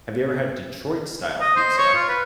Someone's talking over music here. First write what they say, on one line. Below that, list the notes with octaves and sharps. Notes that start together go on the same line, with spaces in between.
have you ever had Detroit-style pizza?
D#5
C5
C#5
F4
B4